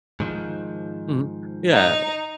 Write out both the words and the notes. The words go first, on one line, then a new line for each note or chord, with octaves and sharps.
Mhm, yeah.
G#2 D#3 F3
D#4